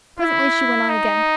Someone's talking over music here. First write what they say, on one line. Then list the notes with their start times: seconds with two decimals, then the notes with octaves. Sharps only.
Presently she went on again.
0.19 E4
0.89 D#4